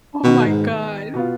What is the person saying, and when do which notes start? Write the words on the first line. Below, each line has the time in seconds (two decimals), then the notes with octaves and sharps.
Oh my god.
0.24 B2 D#3 B3 D#4
0.47 G#2
1.14 B2 B3 F4